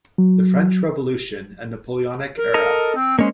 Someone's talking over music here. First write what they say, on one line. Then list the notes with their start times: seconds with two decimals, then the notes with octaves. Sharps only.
"The French Revolution and Napoleonic Era".
0.18 F#3
2.37 A#4
2.54 A4 D#5 A#5
2.95 C4
3.19 G#3 A#3 C#4 C5